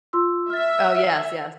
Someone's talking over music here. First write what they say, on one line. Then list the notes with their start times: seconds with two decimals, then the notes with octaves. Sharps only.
Oh, yes, yes.
0.13 F4 C6 E6
0.50 E5 F6 A6